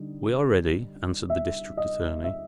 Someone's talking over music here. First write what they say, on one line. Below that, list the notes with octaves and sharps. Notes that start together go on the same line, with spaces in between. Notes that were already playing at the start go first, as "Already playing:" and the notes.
"We are ready," answered the District Attorney.
Already playing: D3 G3 D#4
E5
D#5
E5